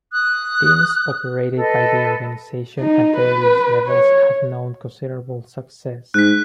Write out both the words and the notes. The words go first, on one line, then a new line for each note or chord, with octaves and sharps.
Teams operated by the organization at various levels have known considerable success.
D#6 F#6
A4 B4 D#5
D#4
B4
C#5
G#2 F#6 B6